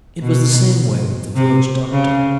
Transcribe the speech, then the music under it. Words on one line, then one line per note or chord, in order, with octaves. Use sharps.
It was the same way with the village doctor.
B2
C3
C#3